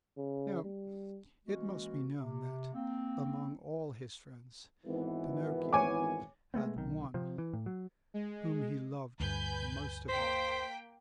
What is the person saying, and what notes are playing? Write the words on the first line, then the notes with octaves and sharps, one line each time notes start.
Now it must be known that, among all his friends, Pinocchio had one whom he loved most of all.
C#3
G3
E3 G#3 A#3 C#4 F#4
C3
A#3 C4
G#1 E3 B3
C#5 G#5 D6
G#3 A3 B3 C4
B1 D#3
C3 F3 C4
E3
A2
F#3
G#3
D2 G2 B4 G#5 G6
A#3 C5 G5 B6